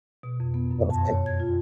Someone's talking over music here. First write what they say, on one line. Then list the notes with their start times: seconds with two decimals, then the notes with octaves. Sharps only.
Oh, thanks.
0.23 B2
0.40 F2
0.54 B3
0.71 F#2
0.90 A5
1.06 C#5
1.26 G#6
1.40 F4